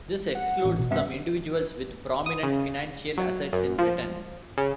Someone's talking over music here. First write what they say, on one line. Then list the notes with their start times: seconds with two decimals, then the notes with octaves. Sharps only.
This excludes some individuals with prominent financial assets in Britain.
0.35 F#5
0.64 A1
0.78 B2
0.91 G2 C3 B3 E5
2.26 D#6
2.43 C#3
3.18 F#3
3.53 F#2
3.78 F3
4.57 C#3